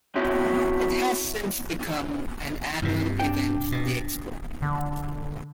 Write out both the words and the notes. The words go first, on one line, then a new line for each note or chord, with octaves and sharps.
It has since become an annual event for the expo.
B3 C4 E4 F#4 C#5
G2 C3
D4 G5
B2
D3